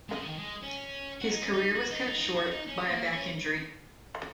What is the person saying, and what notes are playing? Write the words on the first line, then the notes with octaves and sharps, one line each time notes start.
His career was cut short by a back injury.
G#3
C#3
D#3
G#3
C#4
F#4
D#4
C#4
D#4
F#4
D#4
D#4
D#4
F#4
D#4
C#4
A#3
C#4